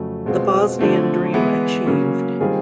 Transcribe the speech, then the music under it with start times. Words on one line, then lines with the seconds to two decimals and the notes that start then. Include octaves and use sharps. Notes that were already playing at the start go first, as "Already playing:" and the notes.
The Bosnian dream achieved.
Already playing: F2 C#3 F#3 A3
0.26 B2 G#3 C4 F4
0.79 D3 F3 A3 C4
1.33 E3 G#3 B3 E4
1.86 C#3 F#3 A#3 C#4
2.40 D#3 G3 C4 F4 G#4